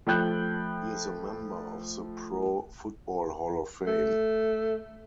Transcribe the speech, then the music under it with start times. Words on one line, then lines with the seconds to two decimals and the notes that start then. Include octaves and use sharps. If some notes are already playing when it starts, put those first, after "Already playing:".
He is a member of the Pro Football Hall of Fame.
0.07 F3 A3 G5 B5 F#6 G6
3.86 A3